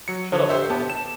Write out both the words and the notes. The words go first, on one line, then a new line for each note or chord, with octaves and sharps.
Shut up, girl!
F#3 C#7
D3 C#5
G4 C5 E5
B3 G4 A5
E7